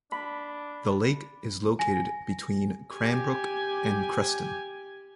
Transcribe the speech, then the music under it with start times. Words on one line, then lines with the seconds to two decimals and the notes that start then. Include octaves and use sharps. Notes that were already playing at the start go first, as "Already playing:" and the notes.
The lake is located between Cranbrook and Creston.
0.12 D4 B5
1.79 G#5 A#6
2.96 G4 G#5